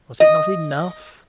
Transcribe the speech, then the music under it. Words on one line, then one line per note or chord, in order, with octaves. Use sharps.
Was it not enough?
D#5